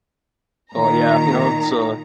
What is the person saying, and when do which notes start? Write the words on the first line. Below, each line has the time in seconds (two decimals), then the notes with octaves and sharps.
oh, yeah. You know, it's, uh
0.73 A#2 D#3 A#5